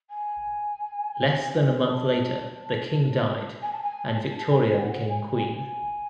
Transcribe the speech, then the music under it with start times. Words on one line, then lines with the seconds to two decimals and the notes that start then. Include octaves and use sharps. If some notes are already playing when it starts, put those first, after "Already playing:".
Less than a month later the King died and Victoria became Queen.
0.10 G#5
1.86 A5
3.62 G#5
3.73 A5
3.82 G#5
4.07 A5
4.50 G#5
4.80 F#5
5.09 G#5
5.38 G#5